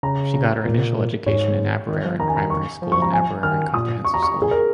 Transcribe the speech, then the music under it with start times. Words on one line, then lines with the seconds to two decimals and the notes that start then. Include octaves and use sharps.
She got her initial education in Aberaeron Primary School and Aberaeron Comprehensive School.
0.03 C#3 A#5
0.34 A#5
0.65 A#2 A#4
1.26 G#2 C#5
1.88 D#3
2.05 F3
2.20 D#3 A#5
2.28 G#5
2.36 A#5
2.50 C#6
2.82 F3
2.92 C#6
3.02 A#5
3.13 G#5
3.43 D#3 F6
3.74 A#2 D#6
4.05 C#6
4.14 A#5
4.23 C#6
4.42 G#4
4.51 A#4